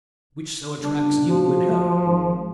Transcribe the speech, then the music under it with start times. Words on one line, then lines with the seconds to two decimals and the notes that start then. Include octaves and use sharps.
Which so attracts you in her.
0.81 G1 C#3 D4
1.28 F3 F#4
2.04 G#1